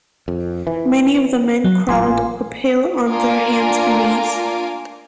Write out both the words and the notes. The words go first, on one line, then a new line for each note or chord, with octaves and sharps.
Many of the men crawled uphill on their hands and knees.
F2
E3
F#3
A1 A#2 F5 G#5 C6
A#3 D4 F4 A#4 G#5 D6